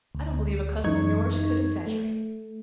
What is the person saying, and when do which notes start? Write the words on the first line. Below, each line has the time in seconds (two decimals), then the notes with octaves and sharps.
I don't believe a cousin of yours could exaggerate.'
0.15 D2
0.84 F#2 E3 G#3 D#4 C#6 G#6
1.86 A3